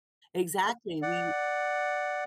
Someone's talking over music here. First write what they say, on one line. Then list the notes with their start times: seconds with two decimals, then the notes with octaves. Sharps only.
Exactly, we
1.02 D5 F#5